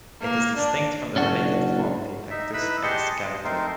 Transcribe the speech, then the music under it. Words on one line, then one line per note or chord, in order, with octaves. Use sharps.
It is distinct from the related deformity pectus excavatum.
A#3
D4
F#1 C#4 D4 F#4
D#4 E5
D#4 E4 B4 B5 E6
G4 G#4 D#5 F#5 A5 C6
D#5
A3 C4 D#4 A#4 C5